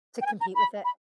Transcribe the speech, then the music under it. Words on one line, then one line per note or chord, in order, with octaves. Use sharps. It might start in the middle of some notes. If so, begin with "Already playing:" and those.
To compete with it.
G5
G#5
A#5
B5
B5